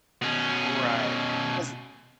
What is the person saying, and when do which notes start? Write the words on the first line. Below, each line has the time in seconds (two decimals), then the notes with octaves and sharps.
Right. 'Cause
0.22 B2 C#4